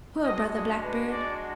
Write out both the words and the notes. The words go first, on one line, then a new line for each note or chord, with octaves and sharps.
Poor Brother Blackbird!
G#3 D4 F#4 D#5
D#5
B4
D5